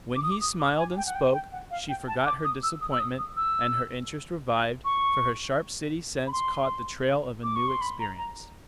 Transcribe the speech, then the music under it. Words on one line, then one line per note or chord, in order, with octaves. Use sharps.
When he smiled and spoke she forgot her disappointment, and her interest revived, for her sharp city sense caught the trail of a new experience.
D6
D#6
D6
D#6
D6
G#5
G5
F#5
G5
G5
F#5
F5
G5
A5
D6
D#6
E6
D#6
E6
D#6
D#6
E6
C#6
B5
C6
D6
C#6
C6
B5
A#5
A#5